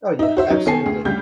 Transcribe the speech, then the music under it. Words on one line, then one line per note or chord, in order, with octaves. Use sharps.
Oh yeah, absolutely.
D#4 E5
F#4 C5 E5
F#3 D#4
D#3 B3 A4 G#5 C7
D2 G#4
D2 C#3 G3 G6